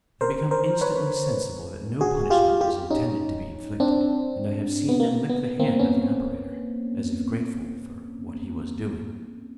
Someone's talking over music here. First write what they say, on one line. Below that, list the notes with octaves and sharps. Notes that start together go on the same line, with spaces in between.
They become instantly sensible that no punishment is intended to be inflicted, and I have seen them lick the hand of the operator, as if grateful for what he was doing.
A#4 C5
A#4 C5
B4 C#5
F#4 G#4
F4 G4
F4 G4
C#4 D#4
C4 D4
B3
A#3
B3
A#3 C4
B3 C#4